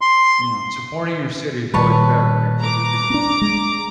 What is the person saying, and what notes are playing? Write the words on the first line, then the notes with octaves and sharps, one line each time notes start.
you know, supporting your city is always better, because it it
C6
A#2 D#3 G3 B4 C#5 A5
A#5 D6
C4 D4
G#3